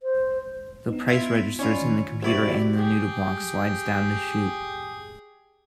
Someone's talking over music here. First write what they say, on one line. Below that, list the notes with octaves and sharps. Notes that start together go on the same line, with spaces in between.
The price registers in the computer and the noodle box slides down a chute.
C5
B3 D#4
E4 F4 E5
C#4 D#4 F4 D5 B5
D#3
C2 E4 F#4 D5 B5 C#6
G4 G#4